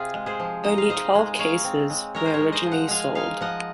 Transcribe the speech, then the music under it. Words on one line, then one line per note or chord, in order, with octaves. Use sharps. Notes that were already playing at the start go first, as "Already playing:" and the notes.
Only twelve cases were originally sold.
Already playing: C3 F4 G#4 C5
G#3
G#4 C5
F3
D#4 D#5
F5
D#4 C5 D#5
G#3
D#4 C#5 F5
C4
G#3
G#3 A#4 C#5
C5
A#4 C#5
G#3
C5 D#5
F3
F#5 A#5
G#3 F5 G#5
D#4 F5 G#5
F3 D#5 F#5